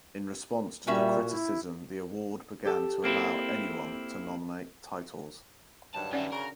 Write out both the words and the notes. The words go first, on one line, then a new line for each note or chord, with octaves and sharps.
In response to the criticism the award began to allow anyone to nominate titles.
A#2 G3 C#4 F#4 E5
E4
G4 A4
A#3 C4 E4
G2 D3 D#3 F#3 A5
D#3 C#4 D4 D5 E5 F#5
C#3 A#4